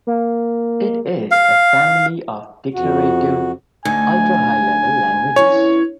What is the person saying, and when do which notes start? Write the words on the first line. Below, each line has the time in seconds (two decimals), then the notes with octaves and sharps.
It is a family of declarative "ultra high-level" languages.
0.07 A#3
1.31 F5
2.74 F2 F#4
3.85 D2 D#4 G#5
5.36 E2 E3 C#4 C#5